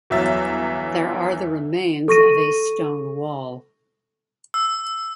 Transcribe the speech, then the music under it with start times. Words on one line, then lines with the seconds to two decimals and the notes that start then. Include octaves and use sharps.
There are the remains of a stone wall.
0.10 G1 E2 F#3 E5 A6
2.08 A4 C#6 A#6 D#7
4.54 E6